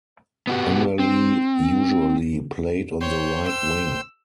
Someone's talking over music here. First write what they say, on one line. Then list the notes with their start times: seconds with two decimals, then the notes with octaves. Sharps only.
Enerly usually played on the right wing.
0.47 B3 F#4 G4
0.99 C4
3.01 C5 C#5 G5
3.47 E6